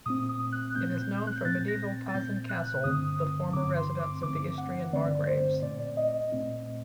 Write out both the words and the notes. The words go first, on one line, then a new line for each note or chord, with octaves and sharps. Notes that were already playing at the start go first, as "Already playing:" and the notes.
It is known for medieval Pazin Castle, the former residence of the Istrian margraves.
A#2 A3 C4 D#6
D#6
F#6
A#2 A3 C4 G6
F#6
G6
A#2 A3 C4 A6
A#6
A6
A#2 A3 C4 G6
F#6
G2 D3 A3 C4 D#6
G2 D3 A3 C4 D6
C6
D6
G2 D3 A3 C4 D6
F#5
G2 D3 A3 C4 D5
C5
A#2 A3 C4 D5
D5
D#5
D#5
A#2 A3 C4